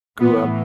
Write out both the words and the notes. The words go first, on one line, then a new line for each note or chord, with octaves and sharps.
grew up
A2 E3 B3